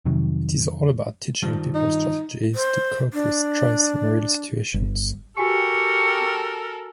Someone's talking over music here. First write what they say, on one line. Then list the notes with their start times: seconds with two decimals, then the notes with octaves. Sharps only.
It is all about teaching people strategies to cope with stress in real situations.
0.05 F2 C3 D#3 F#3
1.43 G2 D#3 F3
1.75 D#4
2.55 C5
3.13 D4
4.74 G1
5.37 F#4 G4 A4 A#4 G#5 C#6